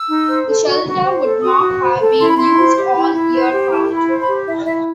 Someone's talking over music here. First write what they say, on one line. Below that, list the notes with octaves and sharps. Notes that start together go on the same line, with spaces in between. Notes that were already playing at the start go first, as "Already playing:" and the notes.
The shelter would not have been used all year round.
Already playing: E6
D#4
C5
A4
F#4
F#4
C5
A4
F#4 D#6
F#4
C5
A4
E4 C6
B5
E4 C6
C5
G4
E4
E4
C5
G4
E4 A5
E4
B5
C5
B5
G4
E4 E5
E4 E5